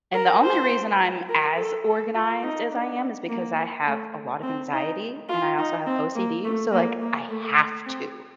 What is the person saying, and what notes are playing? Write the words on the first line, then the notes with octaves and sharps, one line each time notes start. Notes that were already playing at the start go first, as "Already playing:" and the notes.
And the only reason I'm as organized as I am is because I have a lot of anxiety and I also have OCD, so, like, I have to,
A#4
C5
A#4
A4
A4
F4
D#4
D4
A#3
A3
C4
D#4
F4
D#4
C4
A#3
A3
A#3
A#3
A3
C4